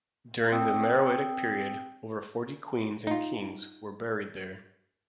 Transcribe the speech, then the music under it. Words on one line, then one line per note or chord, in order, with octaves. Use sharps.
During the Meroitic period, over forty queens and kings were buried there.
C4 D5 G5 D#6 E6
D#4 F4